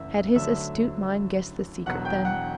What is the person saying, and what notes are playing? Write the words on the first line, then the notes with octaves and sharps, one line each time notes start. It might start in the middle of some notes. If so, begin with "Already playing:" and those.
Had his astute mind guessed the secret, then?
Already playing: F#1 E2 A3 E5 E6
D2 D3 F#3 A3 E5 E6
E1 E2 B2 F#3 F#5 F#6
G5 G6
F#5 F#6